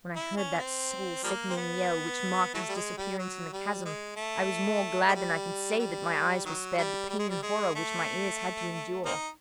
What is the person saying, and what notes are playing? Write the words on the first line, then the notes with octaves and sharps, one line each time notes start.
When I heard that soul-sickening yell, which marked his disappearance in the chasm, I was more glad than I can say that my eyes were spared the pain and horror which my ears had to endure.
E4
C#4
B3
C4
F3 G3 A#3
C4
B3
E3 F#3 A3
G3
G#3
G3
F#3
G3
G#3
A3
G#3
G3
G3
D#3 F#3
G3
G3
G#3
G3
G#3
A3
A#3 C4 D#4